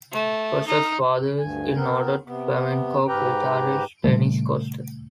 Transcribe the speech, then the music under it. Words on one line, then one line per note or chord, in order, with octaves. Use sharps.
Koster's father is noted flamenco guitarist, Dennis Koster.
A3
D#4
D2 G2 G#5
B3 C4 A#4
C3 B3
G#2 G4 B4 G5 A#5
A#2 C#3 G3 A3